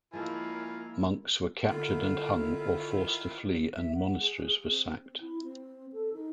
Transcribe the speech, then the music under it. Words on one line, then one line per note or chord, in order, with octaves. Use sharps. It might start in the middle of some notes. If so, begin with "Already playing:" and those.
Monks were captured and hung or forced to flee and Monasteries were sacked.
F3 G#3 A#3 E4 F4 A#4 G#5
D3 D#3 E4 F4
E5
F#5
G#4
G#4
C4
E4
C4
A4
D#4